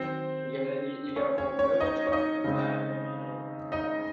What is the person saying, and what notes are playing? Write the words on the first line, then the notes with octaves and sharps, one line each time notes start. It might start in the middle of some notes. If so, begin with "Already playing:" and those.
Yeah, you you got a whole village going with that, I mean, oh my god.
Already playing: D#3 F#3 C4 C5
C#4 C#5
C#4 C#5
C#4 C#5
D#4 D#5
C#5
D#4 D#5
C#3 G#3 C4
D#4 D#5